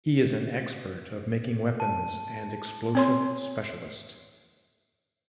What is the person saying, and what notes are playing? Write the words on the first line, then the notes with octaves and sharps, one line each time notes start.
He is an expert of making weapons and explosive specialist.
A5
C4 C#5 C6